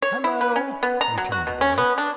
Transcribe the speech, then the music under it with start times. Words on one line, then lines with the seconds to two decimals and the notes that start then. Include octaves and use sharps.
"Hallo!" returned the boy.
0.02 C#5
0.24 E4
0.41 B4
0.56 C#4
0.83 B3
1.01 A#5
1.18 F#3
1.32 F#4
1.47 B2
1.61 C#4
1.78 B3
1.98 D4